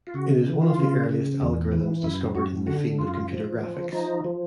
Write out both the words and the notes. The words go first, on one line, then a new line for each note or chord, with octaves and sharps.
It is one of the earliest algorithms discovered in the field of computer graphics.
F4
C#3 F#4
E3
F4
C#3
C#3
E2
E3
F#2 E4
F#2 F#4
D3 F#4
F#2 F4
F3
F3
F3 D#4
F3